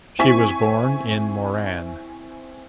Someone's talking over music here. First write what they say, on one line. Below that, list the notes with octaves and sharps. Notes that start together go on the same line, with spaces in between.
She was born in Moran.
C4 E4 G#5 C#6 B6